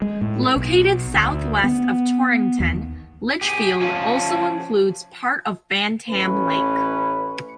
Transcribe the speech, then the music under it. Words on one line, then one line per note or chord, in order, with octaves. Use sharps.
Located southwest of Torrington, Litchfield also includes part of Bantam Lake.
G#3
A2
B1
D2
B3
D#2
G4 G#4
F3 C#4
A1 C#4 B4